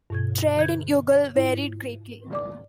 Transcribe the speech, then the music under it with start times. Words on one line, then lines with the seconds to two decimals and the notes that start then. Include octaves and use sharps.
Trade in Youghal varied greatly.
0.10 G2 B2 G#6
0.57 D3 G6 G#6
1.36 G#2 E4
2.33 D5 D6